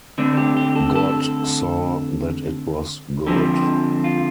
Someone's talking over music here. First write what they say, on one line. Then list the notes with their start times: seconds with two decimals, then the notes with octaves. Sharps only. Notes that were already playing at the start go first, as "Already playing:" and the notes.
God saw that it was good.
0.18 D3 A3 C4 D4
0.37 G4
0.57 G4
0.76 A4
0.96 A4
3.26 D3 F3 C4 G4
4.04 F4